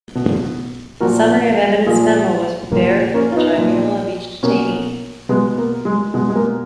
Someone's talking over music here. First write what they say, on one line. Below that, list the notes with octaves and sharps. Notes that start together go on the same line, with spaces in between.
A Summary of Evidence memo was prepared for the tribunal of each detainee.
B2
A#2 F3 F#4 A#4
A#2 F3 F4 G#4
A#2 F3 A#3
A#3 C#4
F4
B3 D#4
A#2 F3
B2 A#3 C#4
B2 G#3 B3
A#3
G#3
B2 G#3
G#3
A#3